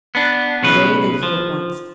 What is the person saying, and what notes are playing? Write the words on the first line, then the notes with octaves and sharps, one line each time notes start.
Away they flew at once.
B3 D4
B1 C#3 B4
F3